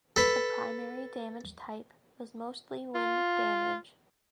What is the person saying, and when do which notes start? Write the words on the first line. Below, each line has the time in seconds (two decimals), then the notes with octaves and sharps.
The primary damage type was mostly wind damage.
0.16 A4 B4
2.95 F4